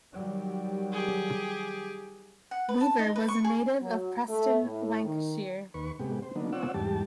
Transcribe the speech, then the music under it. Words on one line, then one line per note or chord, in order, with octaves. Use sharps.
Weever was a native of Preston, Lancashire.
D#3 F#3 G3
G4 G#4
F#5
B4
A5
D#4
B4
C#6
G#4
F#3
A3
A2
D#3
D#2 B4 C#6
A2 C3 G#3 B3 G4
C5
D3 F#3 A#3 B3 D4 D#4
C4 F4 C#5 D5 F#5 E6
E2 G#2 G3 G4 A5